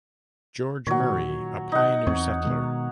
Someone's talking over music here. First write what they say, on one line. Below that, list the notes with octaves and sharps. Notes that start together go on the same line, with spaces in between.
George Murray, a pioneer settler.
A#2 D#3 F#3 C#5
D#4 F#5
E2 C4 C#5
B2 D#3 G#3